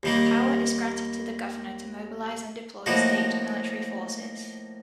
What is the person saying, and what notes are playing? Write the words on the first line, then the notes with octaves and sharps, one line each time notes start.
Power is granted to the governor to mobilize and deploy state military forces.
D#2 D#3 G3 A#3
A2 F3 A#3 D#4 F#4